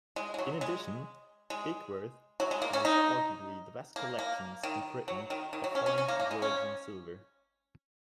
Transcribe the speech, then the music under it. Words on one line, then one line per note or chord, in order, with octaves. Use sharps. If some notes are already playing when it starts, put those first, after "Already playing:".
In addition, Ickworth has arguably the best collections in Britain of fine Georgian silver.
G#3
G#3
F#3
G#3
G#3
F#3
G#3
A#3
C#4
D#4
A#3
A#3
D#3
F#3
D#3
D#3
F#3
C#4
C#4
C#4
A#3
A#3
G#3
C#4